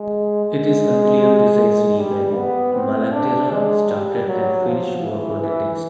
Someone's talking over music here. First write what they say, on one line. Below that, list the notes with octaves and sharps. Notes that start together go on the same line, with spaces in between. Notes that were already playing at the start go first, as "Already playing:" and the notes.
It is unclear precisely when Malaterra started and finished work on the text.
Already playing: G#3
G#3
G3
B3
C4
D4
G#3
G3
F#3
F3
E3
E3